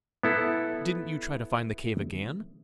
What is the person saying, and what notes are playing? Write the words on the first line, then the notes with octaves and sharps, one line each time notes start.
"Didn't you try to find the cave again?"
B3 E4 A4